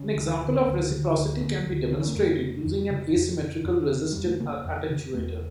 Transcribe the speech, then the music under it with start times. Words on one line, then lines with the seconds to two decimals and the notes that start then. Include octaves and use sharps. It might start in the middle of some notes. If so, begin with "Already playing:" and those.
An example of reciprocity can be demonstrated using an asymmetrical resistive attenuator.
Already playing: D3 C#4
0.16 D2
0.41 D3
0.65 D2
0.90 D3
1.15 D2
1.41 D3 A#3
1.66 D2
1.91 D3 D4
2.00 C#4
2.08 A#3
2.15 F2 A3
2.41 C#3
2.65 F2
2.90 C#3
3.15 F2
3.41 C#3
3.65 F2 D4
3.90 C#3
4.12 F2 G3
4.25 A3
4.40 C#3 A#3
4.65 F2
4.90 C#3
5.14 E2 A3